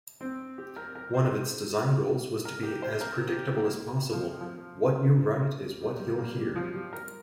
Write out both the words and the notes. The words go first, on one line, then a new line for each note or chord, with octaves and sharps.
One of its design goals was to be as predictable as possible: 'what-you-write-is-what-you'll-hear'.
C4
G4
A#4
A#4
C5
A#4
G4
C5
A#4
G4
A#3
F3
F3
G3
G3
A#3
G3
F3
G3
A#4